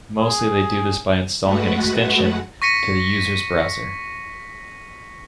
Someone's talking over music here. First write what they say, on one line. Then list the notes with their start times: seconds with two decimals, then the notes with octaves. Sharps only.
Mostly they do this by installing an extension to the user's browser.
0.18 G#4
1.44 G#3 A3 F#4 B4 F#5
2.62 C#6 A#6 B6 C#7 D#7